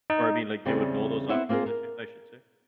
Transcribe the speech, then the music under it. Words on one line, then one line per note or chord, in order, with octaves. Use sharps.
or I mean, like, they would know those options I should I should say.
D#4
E2 C#3 G3 C4 D4 D5
B3 C4 E4 E5 F#5
A#3 C4 F4 G#4 A#4
A#4